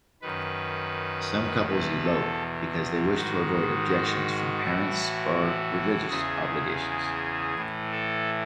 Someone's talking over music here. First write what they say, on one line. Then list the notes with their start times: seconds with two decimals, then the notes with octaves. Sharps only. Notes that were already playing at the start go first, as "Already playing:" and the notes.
Some couples elope because they wish to avoid objections from parents, or religious obligations.
0.22 F#2 D#3 B4
1.68 E2 B2 B4
2.05 A4
3.14 G#2 D#3 F#4
3.88 F#4
4.61 A2 E3
6.07 E2 C#3 E3 G#4
7.55 A2 E3
7.92 A4